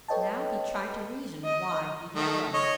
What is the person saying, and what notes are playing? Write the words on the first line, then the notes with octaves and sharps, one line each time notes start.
Now he tried to reason why he had run.
A4 B4 C#5 D#5 G5 A5
D#5
D#3 A3
C#5 D#5